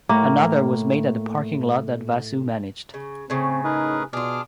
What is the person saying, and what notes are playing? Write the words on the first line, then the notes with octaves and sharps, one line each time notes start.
Another was made at the parking lot that Vasu managed.
A2 A#3
C#3
A2 C#3 C4
D#4 G#4 A#4 B4
B2 D4 F4 G#4 D6 F6